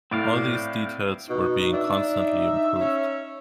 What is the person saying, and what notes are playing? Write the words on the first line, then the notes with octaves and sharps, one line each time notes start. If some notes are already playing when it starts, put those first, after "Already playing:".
All these details were being constantly improved.
A2 C4 D5 F5
B2 D#4
D4 E5
C#4